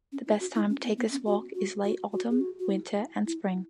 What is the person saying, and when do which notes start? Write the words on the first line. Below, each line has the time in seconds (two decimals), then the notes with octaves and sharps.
The best time to take this walk is late autumn, winter and spring.
0.12 C#4
0.27 E4
0.40 F#4
0.55 E4
0.70 C#4
0.84 B3
0.98 B3
1.12 C#4
1.26 F#4
1.55 F#4
1.84 F#4
2.13 F#4
2.30 G#4
2.41 F#4
2.60 F#4
2.69 E4
3.26 E4